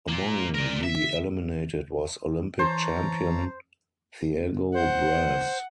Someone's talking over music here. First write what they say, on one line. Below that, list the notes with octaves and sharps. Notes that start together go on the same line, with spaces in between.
Among the eliminated was Olympic champion Thiago Braz.
A#3 F4
A#4 D5
E5
E3 C5 C#5 A5 A#5
C5 F#5